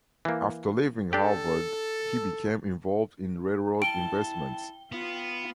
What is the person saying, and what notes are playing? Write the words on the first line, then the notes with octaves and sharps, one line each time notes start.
After leaving Harvard he became involved in railroad investments.
E3 A#3
D4 G4 A4
E4 G5 A5 D7 G7
B3 F4